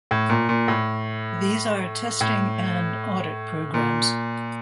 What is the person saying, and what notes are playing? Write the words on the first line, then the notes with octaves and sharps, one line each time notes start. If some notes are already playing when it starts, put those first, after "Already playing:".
These are testing and audit programs.
A2
A#2
A#2
A2
A2
A#2